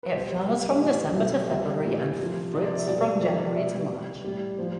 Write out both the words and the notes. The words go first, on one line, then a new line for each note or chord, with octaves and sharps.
It flowers from December to February and fruits from January to March.
B4
B2 G3 C5
C3 G3
A2 E3 G3 D5
B2 G3 E5
D5
C3 E3 G3 E5
A2 E3 G3
C3 F3
C3 F3 D5
D5
E5
B2 G3 D5
A4
D5
C3 F3 D5
E5
D5
B2 G3 E5
C3 G3
A2 G3 D5
A2 F3 C5